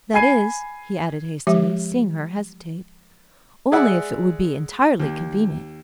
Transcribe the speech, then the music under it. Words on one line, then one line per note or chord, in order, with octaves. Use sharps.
That is," he added hastily, seeing her hesitate, "only if it would be entirely convenient!
G#5 B5 G#6 C7 D#7
F3 G#3 G4 E5
G#3 G#4 D5 E5 F#5
D#2